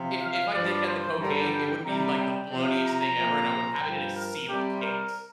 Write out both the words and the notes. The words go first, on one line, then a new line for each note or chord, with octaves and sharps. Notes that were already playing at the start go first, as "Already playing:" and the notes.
if if I did get the cocaine, it would be, like, the bloodiest thing ever, and I would have it in a sealed case.
Already playing: C3 F3
F5
G2 F3 D5
C5
G2 D3 G3 A#5
G5
C3 G3 A#5
G5
C3 F3
A#5
A#2 F3
G2 F3 G5
A#4
C3 G3 G4
A#4